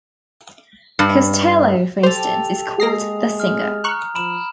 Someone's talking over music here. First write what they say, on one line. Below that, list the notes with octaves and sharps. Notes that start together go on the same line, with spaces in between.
Costello, for instance, is called the singer.
G2
G4 A4 C5 F7
G#3 A#3 D#6 A#6 C7
F6
A#5 C#6 F6 F#6
F3 B5 D7 E7